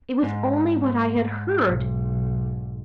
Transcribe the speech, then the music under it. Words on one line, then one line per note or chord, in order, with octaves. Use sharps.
It was only what I had heard.
G#2
B1